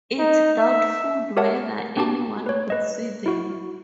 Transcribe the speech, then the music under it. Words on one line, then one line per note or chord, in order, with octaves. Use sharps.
It's doubtful whether anyone could see them.
D#4
E5
G4 A#4 C#5 E5 F#5 A5
C4 D4 F#4 G4 A5
B4 C#5
B4 D#5
E4 F#4